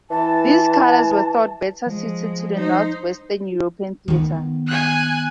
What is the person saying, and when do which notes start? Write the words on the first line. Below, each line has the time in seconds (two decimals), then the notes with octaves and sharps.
These colours were thought better suited to the North Western European theatre.
0.10 E3 A5
1.86 F3 G#3
2.55 D#4 C5
4.08 D#3 B3
4.67 G#5 F#6